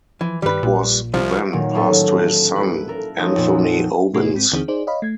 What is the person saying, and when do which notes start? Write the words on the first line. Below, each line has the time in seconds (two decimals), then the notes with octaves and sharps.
It was then passed to his son, Anthony Obins.
0.21 E3 F3
0.42 G2 D#3 G3 B4
0.63 A#1 A#2
1.14 C2 F3
1.52 A#2 D#3 F#3 A#3
1.74 A1 A#3 C#4 A4
2.56 E4 B4
2.88 A4 A#4
3.19 F3 A3 C4 C#4 D#4
3.36 F2 A#2 B3
4.14 A2 C3 A3 D#4 F#4 G#4
4.34 G#2 G#3 C4
4.52 D#2 D3 E3 C4 D#4 G#4
4.68 D#4 G#4 C5 D5
4.87 C#5 D#5 F5 B5
5.02 A3 G#6